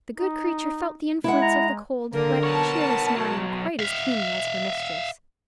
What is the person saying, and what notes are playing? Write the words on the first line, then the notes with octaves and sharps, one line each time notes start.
The good creature felt the influence of the cold, wet, cheerless morning quite as keenly as her mistress.
D#4
G#3 E4 F#5
A#5
D3 A#3 A#4
B3 C#5 A5
B1 F#3
E5 F5